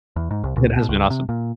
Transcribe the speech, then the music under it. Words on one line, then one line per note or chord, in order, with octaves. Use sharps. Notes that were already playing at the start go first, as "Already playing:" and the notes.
It has been awesome.
E2
G#2
C2
C#2
B2
C#2
C3
A#2